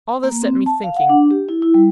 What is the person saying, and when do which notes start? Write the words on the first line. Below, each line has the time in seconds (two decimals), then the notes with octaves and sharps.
All this set me thinking.
0.23 A#3
0.42 C4
0.66 A5
0.84 F5
0.97 F#5
1.09 D4
1.31 G4
1.49 E4
1.62 E4
1.74 G3